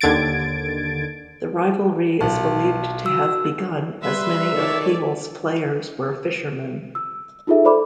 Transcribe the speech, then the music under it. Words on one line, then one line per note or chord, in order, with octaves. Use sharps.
The rivalry is believed to have begun as many of Peel's players were fishermen.
D#2 D3 G#6 A6 D7
B1 A5
F#4 E6
G3 B4 E5 B5 C6
D#3 A4 C#5 D5
E6
D#4 F4 G#4 A4 E5
A4 C5 D5 B5 D6